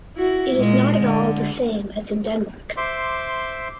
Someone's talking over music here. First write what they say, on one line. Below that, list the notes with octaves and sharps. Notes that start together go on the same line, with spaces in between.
It is not at all the same as in Denmark.
E4 F#4
A#2 G#3
D3
C5 E5 C6 D6